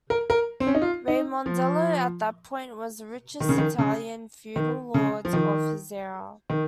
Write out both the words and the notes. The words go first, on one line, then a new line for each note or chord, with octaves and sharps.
Raimondello at that point was the richest Italian feudal lord of his era.
A#4
A#4
C4
C#4
D#4
F4
D#4
F3
D#3
C#3
D#3
C#3
D#3
C#3
F3
D#3
D#3